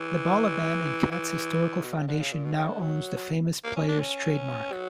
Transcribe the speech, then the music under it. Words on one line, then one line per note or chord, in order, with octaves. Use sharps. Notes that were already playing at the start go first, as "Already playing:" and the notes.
The Balaban and Katz Historical Foundation now owns the Famous Players trademark.
Already playing: E3
E3
B2
C#3
D3
C#3
A#2
B2
D3
C#3
D3
F#3
A#3
C#4
D4
C#4
F#3